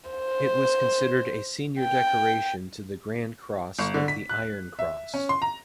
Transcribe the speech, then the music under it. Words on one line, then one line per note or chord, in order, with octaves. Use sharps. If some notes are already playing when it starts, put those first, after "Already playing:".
It was considered a senior decoration to the Grand Cross of the Iron Cross.
C5
G5
G1
D3
B6
F#6
E5
C#4
C6
A#5